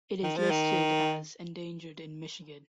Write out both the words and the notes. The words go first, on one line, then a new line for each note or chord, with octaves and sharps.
It is listed as endangered in Michigan.
D#3
F3
D#3